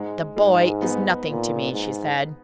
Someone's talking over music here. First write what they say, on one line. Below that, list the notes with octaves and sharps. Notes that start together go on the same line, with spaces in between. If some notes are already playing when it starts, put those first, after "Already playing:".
"The boy is nothing to me," she said.
Already playing: G#2 G#3
G#2 G#3
B3 D#4
A#2
G#2